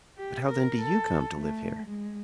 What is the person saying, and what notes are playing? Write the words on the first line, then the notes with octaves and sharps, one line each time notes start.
"But how then do you come to live here?"
G4
A#4
A4
A3
G#3